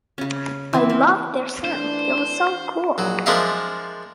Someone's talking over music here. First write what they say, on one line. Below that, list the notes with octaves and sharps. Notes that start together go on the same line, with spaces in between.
I loved their sound, it was so cool.
C#3 C#4
E3 C4 E4
C4
E3 A3 D4 C5
A#1 F#3
F3 G#3 D4 A#4 E5 F5